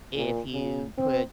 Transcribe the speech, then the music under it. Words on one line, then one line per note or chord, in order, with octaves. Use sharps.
if you put
A#2
C#3
C4